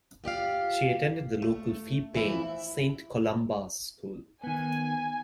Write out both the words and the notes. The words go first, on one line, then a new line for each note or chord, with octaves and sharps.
She attended the local fee paying Saint Columba's School.
F4 G4 D5 F5
A3
E3 F3 E4
D#3 B3 G#5